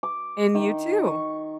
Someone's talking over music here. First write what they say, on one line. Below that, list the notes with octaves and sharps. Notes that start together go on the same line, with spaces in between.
And, you too.
D6
D#3
C#6